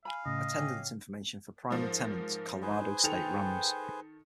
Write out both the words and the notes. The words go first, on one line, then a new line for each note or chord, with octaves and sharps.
Attendance information for primary tenant, Colorado State Rams.
F5 G#5 B5
A2 C#3 D#5
C#4 G4 G#5
G#2 F3 A#4
D#4 G#4 B4 C5
D#3 A4 G5 F7